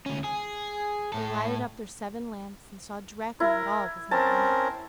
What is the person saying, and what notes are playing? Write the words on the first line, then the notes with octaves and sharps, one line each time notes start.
They lighted up their seven lamps, and saw directly that all was not right.
D2 C#4
G#4
A2 A4
E4 A#4
C4 C#4 A#4 A5